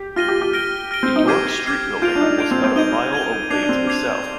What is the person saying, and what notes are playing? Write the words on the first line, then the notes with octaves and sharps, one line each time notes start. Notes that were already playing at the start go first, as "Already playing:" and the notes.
The Yorke Street building was about a mile away to the south.
Already playing: G4
F4 F6 A#6 D#7 G7
G4
G4
F6 A#6 D7 G7
F6 A#6 D7 G7
C4
D#4
G4 D6 F6 G#6 C7 D#7
D6 F6 G#6 C7 D#7
F4 G6 D7 F7
D4
D#4
G6 D7 F7
C4
C4
D#4 G#6 D#7 G7
G#6 D#7 G7
D4 D6 G#6 C7 F7
D4
C4
D6 G#6 C7 F7